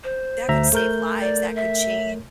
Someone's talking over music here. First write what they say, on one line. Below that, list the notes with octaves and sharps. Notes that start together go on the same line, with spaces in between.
that could save lives, that could change
C5
D2 E5 A#5
A3 A#4 G6
D5
E5